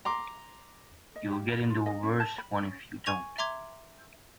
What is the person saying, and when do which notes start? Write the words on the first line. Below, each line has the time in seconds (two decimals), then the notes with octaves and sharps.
You'll get into a worse one if you don't.
0.05 A#5 C6 D6
1.16 D#5
1.31 G4
1.52 B5
1.70 F4
1.86 D#5
2.03 C#4
2.20 A5
2.38 B5
2.62 C#4
3.06 G#5 C#6 G#6 F7
3.38 E5 A#5 C6 D6 G#6